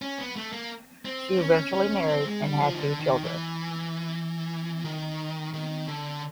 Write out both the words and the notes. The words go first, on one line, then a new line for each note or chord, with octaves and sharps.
She eventually married and had two children.
C#4
B3
A3
A#3
C4
C#4
C#4
C4
G#3
G3
F3
D#3
D3
D#3
E3
D#3
D#3
D3